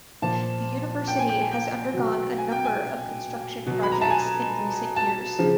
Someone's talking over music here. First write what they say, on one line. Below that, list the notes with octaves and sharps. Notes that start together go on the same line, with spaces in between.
The university has undergone a number of construction projects in recent years.
A#2 F3 A5
G5
G#5
G5
G#5
G5
B2 F#3
G#5
G5
G#5
B2 F#3
B5
A#5
A5
G#5
A5
C#3 F3